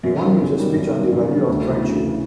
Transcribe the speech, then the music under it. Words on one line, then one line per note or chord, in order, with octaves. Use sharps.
Timon gives a speech on the value of friendship.
F#2
D#3 G3
F#2
D#3 G3
F#2
D#3 G3
F#2
D#3 G3
D2
C#3 E3
D2
C#3 E3